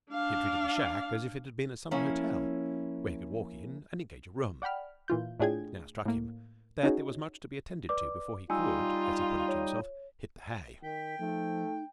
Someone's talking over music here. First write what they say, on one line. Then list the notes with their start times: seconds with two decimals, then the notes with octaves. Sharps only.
He had treated the shack as if it had been a summer hotel, where he could walk in and engage a room. It now struck him that there was much to be attended to before he could, as he put it to himself, hit the hay.
0.11 D4 F5
1.91 F3 A#3 C#4 E4 G#5
4.62 D5 F#5 G5 B5 F6
5.08 A#2 E3 F4 G6
5.40 A2 D4 F4 G#4 G5 G#6
6.05 A2 A#3
6.83 C#4 D#4 F#4 G#4 C#5
7.89 B4 D5 D6
8.50 G3 D#4 F4 G#5 E6
9.48 C#5
10.83 D#3 G5 B6
11.19 F3 A3 D#4